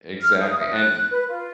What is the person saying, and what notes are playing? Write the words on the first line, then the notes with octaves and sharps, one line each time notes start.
Exactly. And i
F6
D#6
E5
F#6
B4
F4